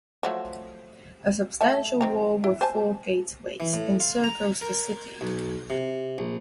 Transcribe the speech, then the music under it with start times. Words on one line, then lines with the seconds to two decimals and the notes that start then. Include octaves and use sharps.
A substantial wall with four gateways encircles the city.
0.23 F3 F#3 A3
1.61 A3 E5 A5
2.01 D#3 C4 A#5
2.44 E4
2.61 C5 G#5 A5
3.60 E3
3.73 A2
4.00 F4
4.24 A#5
4.61 A#4
5.21 B1
5.70 C3
6.18 A#1